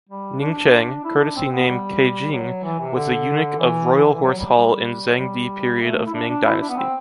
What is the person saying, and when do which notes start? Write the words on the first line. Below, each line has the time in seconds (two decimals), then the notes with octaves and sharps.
Ningcheng, courtesy name Kejing, was the eunuch of Royal Horse Hall in Zhengde period of Ming Dynasty.
0.09 G3
0.40 D4
1.04 E4
1.20 D4
1.36 C4
1.52 B3
1.68 G3
2.32 F#3
2.63 E3
2.80 C3
2.95 D3
3.59 E3
4.05 D3
4.14 E3
4.22 F#3
4.38 G3
4.54 G3
5.08 F#3
5.18 G3
5.81 A3
6.06 E4
6.14 D4
6.29 D4
6.46 E4
6.62 D4
6.70 B3
6.77 C4